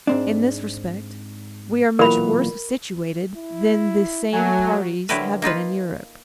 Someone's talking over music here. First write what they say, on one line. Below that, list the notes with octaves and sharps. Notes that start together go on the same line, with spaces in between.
In this respect we are much worse situated than the same parties have been in Europe.
G#2 C4 D4
B1 A#2 E3 A#4 B5
E4
F#3 A3 G#5
D3 F#3 E4 G4 A#4 B4
A#3 D#4 F4 B4